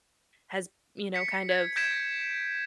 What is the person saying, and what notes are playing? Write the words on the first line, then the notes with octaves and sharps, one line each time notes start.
has, you know, kind of
B6 C#7
G#6
G6 G#6 A#6 B6 D7 E7